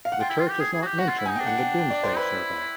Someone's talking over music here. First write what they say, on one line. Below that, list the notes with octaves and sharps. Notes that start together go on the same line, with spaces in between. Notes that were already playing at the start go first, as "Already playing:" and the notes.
The church is not mentioned in the "Domesday" survey.
F5
F#5
F4 G5
E4
F4
G4
G#4
G#4
F#4
G4
F#4 F#5
F4
E4
D#4 G#5
D4 G5
F#5
G5
G5
D5
C5
E4 B4